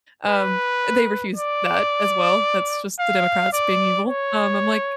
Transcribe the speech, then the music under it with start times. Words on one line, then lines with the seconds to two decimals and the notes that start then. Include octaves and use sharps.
Um, they refused that as well, that's just the Democrats being evil, um, I'm like
0.27 B4
1.36 D5
2.99 F5
3.53 D5
4.08 C#5